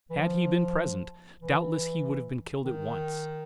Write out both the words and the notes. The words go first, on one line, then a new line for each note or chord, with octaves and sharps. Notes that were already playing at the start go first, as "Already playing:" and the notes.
Had he been present, doubtless he would have been killed at once.
E3
F3
E3
D#3